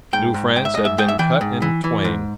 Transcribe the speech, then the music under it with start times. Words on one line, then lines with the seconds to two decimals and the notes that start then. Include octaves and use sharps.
New France had been cut in twain.
0.13 G#2 G5
0.34 G#2
0.56 G#2 G5
0.65 E5
0.75 G#2 D#5
0.85 E5
0.98 G#2 G5
1.09 E5
1.19 E3 G5
1.41 G#2
1.62 E3
1.84 E3
2.05 G#2